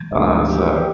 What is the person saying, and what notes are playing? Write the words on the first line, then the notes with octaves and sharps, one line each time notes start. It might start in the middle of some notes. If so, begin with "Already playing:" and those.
Uh, so
D2 G#2
G4